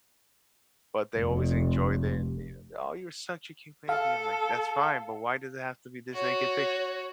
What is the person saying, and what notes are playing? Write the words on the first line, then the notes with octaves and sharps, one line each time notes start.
but they always enjoyed and they go, "Oh, You're such a cute baby." I'm like, "That's fine. But why does it have to be this naked picture?"
F1
A4 F5
F#4 C#5